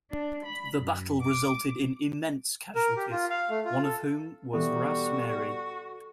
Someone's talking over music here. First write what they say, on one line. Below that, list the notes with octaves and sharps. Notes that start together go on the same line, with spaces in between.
The battle resulted in immense casualties, one of whom was Ras Marye.
D4
B5
F#2
D6
A#4
G4
F4
F5
A3
F4
A4
B2 E3 G3 B3 F#4 A4